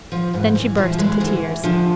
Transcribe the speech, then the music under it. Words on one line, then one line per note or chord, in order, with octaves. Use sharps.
Then she burst into tears.
F3
G#2 E3
E3
E3 F3
F3
E3 G#3
D2 E3
D3 F3